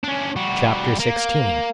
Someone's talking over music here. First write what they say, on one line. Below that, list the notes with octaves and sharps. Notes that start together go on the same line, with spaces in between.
Chapter XVI.
C#4 D4
G3 F#4
A#3